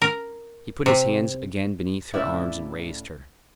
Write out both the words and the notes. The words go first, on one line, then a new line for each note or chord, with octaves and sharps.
He put his hands again beneath her arms and raised her.
A#4
C3
A2 C#3 E4 D5 E5